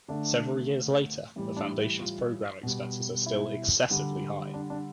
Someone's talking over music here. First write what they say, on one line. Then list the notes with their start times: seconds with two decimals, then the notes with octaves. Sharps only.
Several years later, the Foundation's program expenses are still excessively high.
0.08 D3 A3 D4
1.36 A2 E3 G3
1.57 D4
1.78 E4
1.99 F4
2.63 B2 G3
3.26 E4
3.90 D3 G3
4.54 D4
4.70 D4